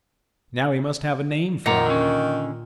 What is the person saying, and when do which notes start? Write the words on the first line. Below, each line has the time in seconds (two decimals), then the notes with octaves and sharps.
Now we must have a name for our land.
1.66 A#2 D#3 D#5 F#5 A#5
1.86 D3 C#4